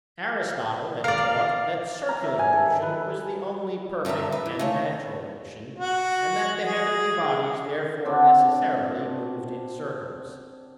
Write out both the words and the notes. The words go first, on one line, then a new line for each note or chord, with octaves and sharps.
Aristotle had taught that circular motion was the only perfect and natural motion, and that the heavenly bodies therefore necessarily moved in circles.
A#4 D5 F5
A#5
E5
G#5
A4
D#3
B4
G2 D3 D#4 E5 A#5
B4
E3
C#3 A3 C#5
F#4
G#4
C4 D4 F#4